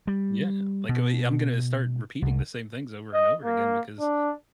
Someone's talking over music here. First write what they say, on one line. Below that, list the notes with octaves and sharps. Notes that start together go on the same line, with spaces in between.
Yeah. Like, uh, I'm gonna start repeating the same things over and over again because
G3
B2
C2
D#5
A#3
D4